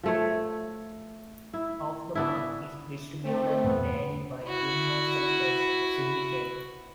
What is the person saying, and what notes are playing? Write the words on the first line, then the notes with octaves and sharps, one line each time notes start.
"Off The Mark" is distributed daily by Universal Press Syndicate.
F3 A3 C#5
E4
B3 D4 E4
A3 C4
E2 G2 A#2 B3
E4 F#4